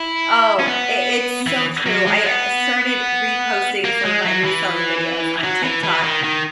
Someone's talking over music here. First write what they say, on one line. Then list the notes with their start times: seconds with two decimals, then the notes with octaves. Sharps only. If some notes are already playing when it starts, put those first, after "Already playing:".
Oh, it it's so true. I I started reposting some of my reselling videos on TikTok
Already playing: E4
0.59 C#4
0.67 B3
1.47 E3
1.86 F#3
2.07 G#3
2.26 B3
3.84 A#3
4.05 G#3
4.25 F#3
4.44 E3
5.44 F#3
5.63 E3
5.83 E3
6.03 D#3
6.24 D#3